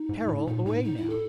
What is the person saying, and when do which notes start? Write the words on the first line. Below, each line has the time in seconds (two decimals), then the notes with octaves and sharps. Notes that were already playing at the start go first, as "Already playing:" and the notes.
"Carol away, now!"
Already playing: D#4
0.09 G#2
0.29 A2
0.47 A#2 D#4
0.66 A2 D#4
0.84 D#4
0.97 E4
1.10 A4